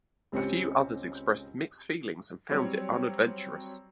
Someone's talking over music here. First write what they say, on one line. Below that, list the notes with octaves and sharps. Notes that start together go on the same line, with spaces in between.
A few others expressed mixed feelings and found it unadventurous.
C#2 C4 C#4 G4 C#7
F#3 G3 C4 C#5